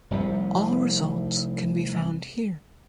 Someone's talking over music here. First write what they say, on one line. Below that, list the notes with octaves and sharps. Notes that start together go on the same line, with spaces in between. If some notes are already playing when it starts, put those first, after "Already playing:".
All results can be found here.
F1 C2 C3 G3